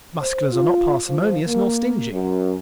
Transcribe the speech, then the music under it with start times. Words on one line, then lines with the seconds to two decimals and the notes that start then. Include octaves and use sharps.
Musculars are not parsimonious nor stingy.
0.21 C5
0.51 F4
1.08 F3
1.47 A#3
2.11 F#2